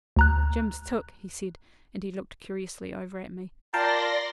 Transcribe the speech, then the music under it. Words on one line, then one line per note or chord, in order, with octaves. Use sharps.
'Jim's took,' he said, and he looked curiously over at me.
D2 A#5 F#6
F4 A#4 D5 F5 G5 A5 C6 A#6